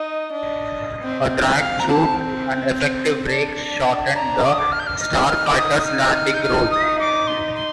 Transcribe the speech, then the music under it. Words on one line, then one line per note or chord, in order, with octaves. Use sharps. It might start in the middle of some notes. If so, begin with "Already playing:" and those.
A drag chute and effective brakes shortened the Starfighter's landing roll.
Already playing: D#4 D#5
D4
C4
C4 F5
A#5
A5
D4
A#5
D6
D#6
D6
F6
G6
F6
D#4 F6
F6
D6
D#6
D#6
F6
F6
G6
F6
D#6
D6
C6
C6